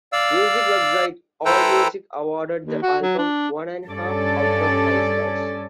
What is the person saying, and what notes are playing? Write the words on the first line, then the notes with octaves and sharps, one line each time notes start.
Music website AllMusic awarded the album one and a half out of five stars.
D5 F5 E6
E4 A4 B4 C5 G5 A#5
D#2
F#4
F#3
D4
G2 C#4 A4 D5